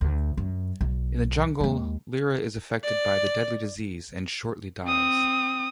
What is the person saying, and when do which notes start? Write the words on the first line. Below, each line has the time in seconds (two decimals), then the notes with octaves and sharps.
In the jungle, Lyra is affected by the deadly disease and shortly dies.
0.01 D2
0.37 F#2
0.81 B1
1.60 D#2 G#3
2.83 D5
4.85 C4 D#6